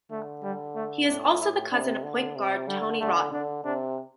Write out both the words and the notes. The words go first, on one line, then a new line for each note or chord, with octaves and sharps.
He is also the cousin of point guard Tony Wroten.
D3 A3
G3
A3
A2 D4
E4
C3 D4
D3
C3
D3 G3
D3 A3
D3 D4
C3 D4